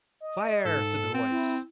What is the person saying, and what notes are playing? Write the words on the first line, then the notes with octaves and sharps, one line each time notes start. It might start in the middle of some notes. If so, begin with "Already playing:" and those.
"Fire!" said the voice.
D#5
G#2 A4
C4
E4